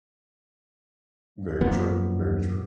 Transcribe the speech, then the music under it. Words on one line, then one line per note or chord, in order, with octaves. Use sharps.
Very true. Very true.
F#2 A#2 F3 B3